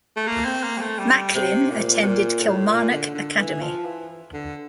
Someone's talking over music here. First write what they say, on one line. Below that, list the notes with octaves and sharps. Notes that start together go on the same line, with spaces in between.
Macklin attended Kilmarnock Academy.
A3
A#3
C4
A#3
G3
A3
G3
C3
A#2
C3
A#2
A2
A#2
D3
D3
E3
F3
E3
D3